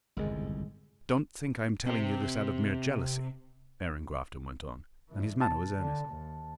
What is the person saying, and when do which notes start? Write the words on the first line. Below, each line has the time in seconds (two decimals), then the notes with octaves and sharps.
"Don't think I am telling you this out of mere jealousy," Aaron Grafton went on, and his manner was earnest.
0.17 G1 C2 F2 G#2 D#3 G#3
1.87 C3 C4
5.09 G2 E3
5.41 B2 A5
5.77 D3
6.09 D#2